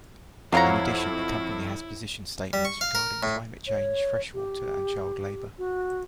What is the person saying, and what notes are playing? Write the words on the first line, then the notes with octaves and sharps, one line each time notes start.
In addition, the company has position statements regarding climate change, freshwater and child labour.
F2 F#3 E4 C5 C#5 F5 F#5 A#5
G3
C#6
F5
A#4
A2
C#5
G4
F#4